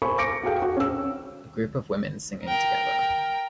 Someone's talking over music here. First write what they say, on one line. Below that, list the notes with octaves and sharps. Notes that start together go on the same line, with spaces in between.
A group of women singing together.
A#4 C5 G#5 B5 C#6
D6 A#6 C#7 D7
F#4 G#4 A4 F5 G5
F#4
C#4 E6
A#4 G5